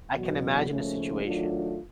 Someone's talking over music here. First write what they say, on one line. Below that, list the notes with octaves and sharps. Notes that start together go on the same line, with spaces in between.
I can imagine a situation
E2 B2 F#3
D#2 C#3 F3 A3 C#4
D#3 F#3 A3 D4 F4